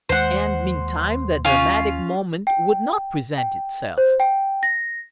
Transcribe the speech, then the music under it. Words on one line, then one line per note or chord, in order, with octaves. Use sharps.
And meantime the dramatic moment would not present itself.
D#2 G#3 C5 F#5
C#4 F4
G5
G5
C5
G5
A#6